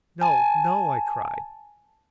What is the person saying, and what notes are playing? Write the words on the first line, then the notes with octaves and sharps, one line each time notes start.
"No, no!" I cried.
G#5 A5